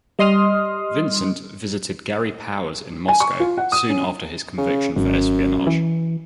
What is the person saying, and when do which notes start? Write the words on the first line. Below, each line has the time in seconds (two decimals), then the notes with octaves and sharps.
Vincent visited Gary Powers in Moscow soon after his conviction for espionage.
0.19 G3 D#5 C6 D#6 F6
3.08 G#5
3.20 C#6
3.40 F4
3.57 F#5
3.72 D#6
3.90 C#4
4.58 C#3
4.96 G#1 F#2
5.67 E3